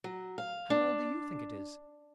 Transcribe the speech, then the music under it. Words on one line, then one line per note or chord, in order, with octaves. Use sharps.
"How old do YOU think it is?"
F#3
F5
D4